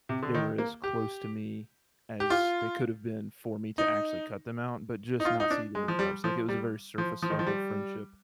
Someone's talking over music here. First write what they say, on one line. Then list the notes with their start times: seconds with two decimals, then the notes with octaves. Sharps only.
they were as close to me as they could have been for me to actually cut them out, but just not see them as much, like, it was a very surface-level friendship
0.09 C3
0.23 D3
0.34 D#3
0.58 A#3
0.84 G4
2.20 G4
2.30 F4
3.78 D#4
5.20 D#4
5.25 F4
5.40 D#4
5.50 D4
5.75 G#3
5.88 F3
5.99 G3
6.24 F3
6.48 G3
6.98 F3
7.22 F3
7.30 D#3
7.39 F3
7.47 G3